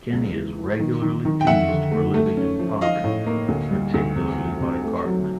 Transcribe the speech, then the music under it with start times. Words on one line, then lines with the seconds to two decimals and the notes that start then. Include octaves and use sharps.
Kenny is regularly teased for living in poverty, particularly by Cartman.
0.13 C#2
0.34 E3
0.57 E3
0.79 D#3
1.02 D#3
1.25 D#3
1.41 G5
1.46 F2 E5 F#5
1.69 D3
1.92 A3
2.14 A3
2.37 C#4
2.59 F3
2.81 F3 D#5 F5
3.04 A2
3.26 A#3
3.48 D2
3.71 G3
3.94 D2
4.16 C3
4.38 C3
4.61 C3
4.83 A3
5.05 F#3